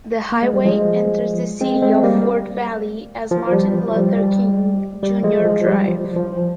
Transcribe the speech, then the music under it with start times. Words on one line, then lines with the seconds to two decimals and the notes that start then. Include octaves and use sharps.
The highway enters the city of Fort Valley as Martin Luther King Junior Drive.
0.32 A#3
0.43 G#3
0.54 G3
0.65 F3 G#3
1.61 G#3 C4
1.82 G#3 C4
2.03 G3 A#3
3.31 F3
3.52 G3
3.74 F3
3.90 F3
3.96 G3
4.17 G3
5.03 G3
5.23 F3 G#3
5.44 F3 G#3
5.67 G3
5.88 F3
6.05 F3
6.16 F3